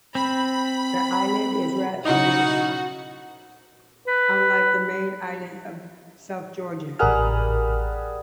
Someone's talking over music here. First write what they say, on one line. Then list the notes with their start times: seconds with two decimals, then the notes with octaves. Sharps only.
The island is rat-free, unlike the main island of South Georgia.
0.15 C4 B5
2.05 C#3 D#4 E4 F#4 D#5 F#5
4.07 B4
6.99 A1 G3 G#4 A#4 F#5 F6